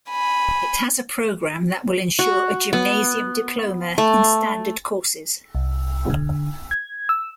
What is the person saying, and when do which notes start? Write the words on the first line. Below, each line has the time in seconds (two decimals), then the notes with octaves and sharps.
It has a program that will ensure a gymnasium diploma in standard courses.
0.11 G#5 B5
2.19 F#4
2.73 B3
3.98 A3
5.55 C2
6.10 D3
6.71 G#6
7.09 E6